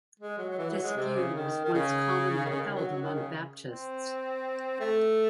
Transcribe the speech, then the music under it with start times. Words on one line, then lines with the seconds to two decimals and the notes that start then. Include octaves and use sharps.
This view was once commonly held among Baptists.
0.19 G#3
0.38 F#3
0.50 F#3
0.58 E3
0.71 F#3
0.83 G#3
0.96 C3
1.16 C#3
1.34 D#3
1.65 D#3
1.74 C#3
2.46 D#3
2.49 C#3
2.62 D#3
2.75 F#3
2.88 F#3
3.02 D#3
3.14 C#3
3.65 C4
4.80 A3